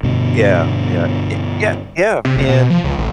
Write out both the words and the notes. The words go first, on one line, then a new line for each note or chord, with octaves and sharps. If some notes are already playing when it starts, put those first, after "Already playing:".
Yeah, yeah, it yeah, yeah, and,
G2 B2 D3
C3
F#1
B2
F3
C#2
A1